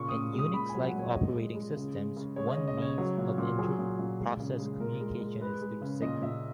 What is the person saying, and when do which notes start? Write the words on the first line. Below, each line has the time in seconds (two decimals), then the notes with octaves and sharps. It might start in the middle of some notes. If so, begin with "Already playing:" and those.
In Unix-like operating systems, one means of inter-process communication is through signals.
Already playing: A#2 C#3 C#6
0.09 D#6
0.14 C#3
0.33 G#3
0.39 D#6
0.54 A#2 B5
0.69 G#5
0.75 F#3
0.84 F#5
0.95 A#2 C#5
1.15 G#3 D#5
1.35 G#3
1.55 G#3
1.76 C#3
1.96 G#3
2.16 C#3
2.36 G#3 C#5
2.52 D#5
2.57 C#3
2.68 D#5
2.77 C#3 C#5
2.98 F#3
3.18 A#2
3.38 A#2
3.58 F#3 G#4
3.79 A#2
3.99 A#2
4.20 G#3
4.40 C#3
4.60 G#3
4.80 A#2 A#4
5.00 G#3
5.21 G#3
5.41 G#3 B4
5.61 G#3
5.82 C#3
6.02 A#2 D#5
6.22 A#2 E5